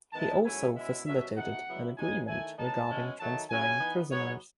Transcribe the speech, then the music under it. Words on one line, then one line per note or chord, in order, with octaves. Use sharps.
He also facilitated an agreement regarding transferring prisoners.
D#3 G#3 B3 E4 A5
G#2 F#3 A3 C#4 E4 G#5
B2 G#3 C#4 E4 E5
B2 F#3 C#4 E5
B2 A3 D#4 F#5
C#3 F#3 B3 E4
C#3 G#3 D#4 G#5
D#3 A3 E4 G#5
A2 G#3 B3 D#4 A5
B2 G#3 C#4 E4
D#3 F#3 A3 D#4 A5
C#3 F#3 C#4 E4 G#5
E3 B3 D#4
G#2 F#3 B3 D#4 C#5